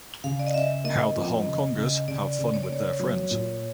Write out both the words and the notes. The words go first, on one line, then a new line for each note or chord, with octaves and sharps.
How the Hongkongers have fun with their friends.
C#3 F5
D5
D#5
C#4 E5
A#3 D#5
F2
C#3
C#3
C#3 D5
C#3
C#5
D5
A#3 C#5
F#3
A#2